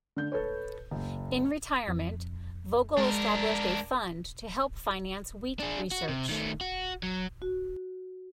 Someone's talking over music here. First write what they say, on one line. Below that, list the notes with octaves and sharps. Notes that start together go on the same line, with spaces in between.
In retirement, Vogel established a fund to help finance wheat research.
D3 G6
A4 B4 C#5
F#1
F2
G#3 D4 A#4
D4 G#4
F#4
C3
D#3 A3
F#4
F#3
F#4